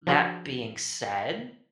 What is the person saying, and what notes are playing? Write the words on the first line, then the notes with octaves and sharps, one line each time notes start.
That being said,
F3 D4 F4 F#4 G#4 B4